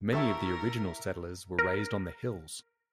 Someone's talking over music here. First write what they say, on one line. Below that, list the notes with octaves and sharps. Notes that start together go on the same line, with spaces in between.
Many of the original settlers were raised on the "hills".
E4 G4 A4 A#4 E5 C#6 E6
A#4